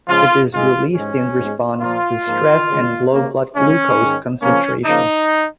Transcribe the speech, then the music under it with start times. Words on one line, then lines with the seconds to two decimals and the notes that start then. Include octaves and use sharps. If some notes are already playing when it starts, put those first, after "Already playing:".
It is released in response to stress and low blood-glucose concentration.
0.08 C#3 F3 G#3 F4
0.51 G#2 G#3 F4
0.95 G#2 G#3 C#4
1.38 G#2 G#3
1.81 A#2 F3 A#3 F4
2.25 G#2 F3 A#3
2.69 C#3 G#3
3.12 C#3 A#3
3.55 C#3 F3 G#3 C#4
3.98 G#2 D#3 G#3
4.42 C#3 F3 A#3 C#4
4.85 C#3 F3 A#3 D#4